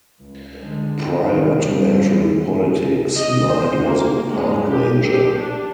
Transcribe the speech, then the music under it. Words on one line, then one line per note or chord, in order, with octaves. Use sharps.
Prior to entering politics, Knight was a park ranger.
C#2
D3 G#3
D#3
G3
D#5
C5
A#3
G#3
G4
G4
D4